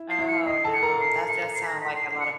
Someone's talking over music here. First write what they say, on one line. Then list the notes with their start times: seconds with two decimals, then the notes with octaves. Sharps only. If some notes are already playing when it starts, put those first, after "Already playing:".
Oh, no. That does sound like a lot of
Already playing: E4 E5
0.10 C7
0.19 E4 E5
0.28 C#7
0.46 D#5 C7
0.64 A4 A5
0.73 C#7
0.82 A#4 A#5
1.01 C7
1.28 C#7
1.55 C7
1.64 B6
1.68 A#6
1.82 B6
1.96 C7
2.10 C7
2.20 C#7